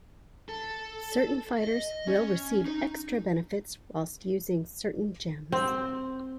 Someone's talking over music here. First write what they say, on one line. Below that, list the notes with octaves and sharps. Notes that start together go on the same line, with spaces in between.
Certain fighters will receive extra benefits whilst using certain gems.
A4
D#5
C#4
D#4
C4